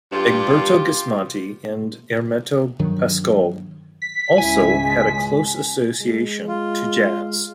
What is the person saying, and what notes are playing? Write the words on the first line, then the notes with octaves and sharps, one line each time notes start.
Egberto Gismonti and Hermeto Pascoal also had a close association to jazz.
G2 F4 G4
G2 D#3 F#3
B6
G#1 C#2 C#3 E4 G#5
G#3
G#3
F4